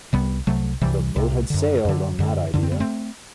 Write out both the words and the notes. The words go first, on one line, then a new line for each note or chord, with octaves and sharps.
The boat had sailed on that idea.
C2 C3 G3 B3
C2 C3 F#3 A3
C2 C3 E3 G3
C2 C3
F#2 D3
F#2 D3
F#2 D3
F#2 D3 D4
C4
B3
A3 C4